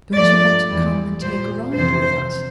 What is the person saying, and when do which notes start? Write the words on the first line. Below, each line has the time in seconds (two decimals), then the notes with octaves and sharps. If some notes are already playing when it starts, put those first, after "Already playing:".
"Don't you want to come and take a ride with us?"
0.15 G2 F3 A3 D5
0.69 E2 E3 G3
1.22 A#2 G3 C5
1.76 F2 C3 E3 C5